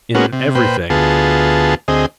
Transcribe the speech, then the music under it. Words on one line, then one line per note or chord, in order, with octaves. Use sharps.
"In everything."
G#3 A#3 B3 C#4 F#4
C3
A#2 B4 C5 G5
D2 B3 F4 G#4 A5
D2 C4 G#4 D#5